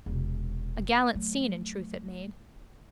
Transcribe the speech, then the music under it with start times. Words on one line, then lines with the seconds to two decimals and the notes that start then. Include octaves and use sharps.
A gallant scene in truth it made.
0.06 E1 C3
1.15 F#3 A3